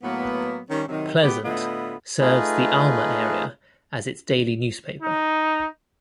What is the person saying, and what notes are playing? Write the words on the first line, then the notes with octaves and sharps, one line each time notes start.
Pleasant, serves the Alma area as its daily newspaper.
A2 F#3 A#3 B3
D#3 G3 C#4
C3 D#3 F#3
A2 B3 G4
A2 D3 B3 E4 F4 D#5
A3 D#4 F4 G#4 B4
D#4